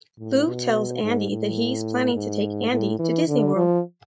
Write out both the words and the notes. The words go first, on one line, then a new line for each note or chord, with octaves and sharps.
Lou tells Andy that he's planning to take Andy to Disney World.
A2
B2
G#2
A2
G#2
A2
E3
D3
F3